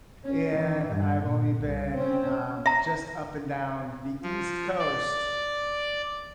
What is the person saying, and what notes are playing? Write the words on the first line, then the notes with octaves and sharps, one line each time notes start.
and I've only been, um, just up and down the East Coast,
C#4
E3
G2
A#2
C2
C4 C#4
E5 A#5
F3
D5